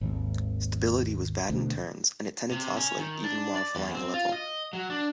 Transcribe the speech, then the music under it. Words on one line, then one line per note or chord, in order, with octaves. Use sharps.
Stability was bad in turns, and it tended to oscillate, even while flying level.
G#1 D#2
D2 B2
C3
C#4
D#3
D4
D5
E2
C4
F4
D#5
F#3
D4